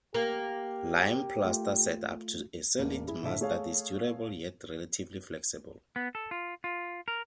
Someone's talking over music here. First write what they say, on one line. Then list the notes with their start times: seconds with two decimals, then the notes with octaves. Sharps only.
Lime plaster sets up to a solid mass that is durable yet relatively flexible.
0.14 A#3 G4
1.44 A3 F4
2.78 E1 A1 A#3
3.08 E4 G#4
3.23 A2 D3 A4 E5
3.41 A3 G#4 C#5 F5
5.96 B3
6.15 A4
6.31 F4
6.64 F4
7.08 A#4